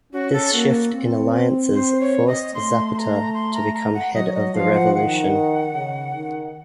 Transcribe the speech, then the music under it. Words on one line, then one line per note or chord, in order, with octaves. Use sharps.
This shift in alliances forced Zapata to become head of the Revolution.
C#4 F#4
A4
A#3 F#4
C4
C5
C#5
D#5
A3 C6
C6
A#5
C6
A#5
A#5
F#5
F#3 D#5
D#5
F3 F5
F#5
D#3 F#5
C#3
D#3